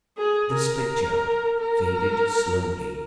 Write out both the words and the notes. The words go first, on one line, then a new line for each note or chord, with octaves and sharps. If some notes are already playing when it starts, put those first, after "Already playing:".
This picture faded slowly.
G#4
A#4
A#4